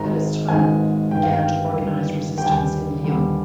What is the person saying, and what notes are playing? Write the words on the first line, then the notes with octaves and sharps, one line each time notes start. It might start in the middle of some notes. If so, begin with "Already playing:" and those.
Delestraint began to organize resistance in Lyon.
Already playing: G#1 G#2 D#3 G#3 A#5
G#1 G#2 D#3 G#3 G#5
G1 G2 D#3 G3 G5
F5
G5
G1 G2 D#3 G3
D#2 D3 G3 G5
G#5
G5
D#2 D3 G3